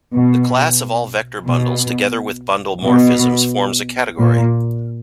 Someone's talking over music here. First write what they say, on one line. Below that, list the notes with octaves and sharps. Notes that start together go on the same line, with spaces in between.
The class of all vector bundles together with bundle morphisms forms a category.
B2
B2
B2
A#2